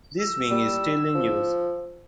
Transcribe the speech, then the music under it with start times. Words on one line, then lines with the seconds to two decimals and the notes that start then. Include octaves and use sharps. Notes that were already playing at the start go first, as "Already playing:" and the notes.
This wing is still in use.
0.18 E6
0.51 G3
1.14 F3